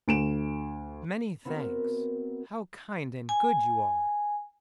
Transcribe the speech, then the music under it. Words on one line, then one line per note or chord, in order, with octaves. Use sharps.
Many thanks--how kind and good you are!
D2 D7 E7
B3 C4 E4 F#4 A#4 B4
G#5